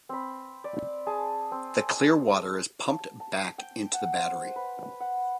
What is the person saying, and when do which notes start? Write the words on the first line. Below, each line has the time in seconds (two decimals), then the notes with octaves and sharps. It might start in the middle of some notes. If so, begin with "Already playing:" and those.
The clear water is pumped back into the battery.
0.09 C4 B5
0.64 D5
1.07 G#4 A5
1.52 C4
2.89 A5
3.20 A5
3.58 G5
3.93 F#5
4.15 C5
4.56 B4
5.00 F#5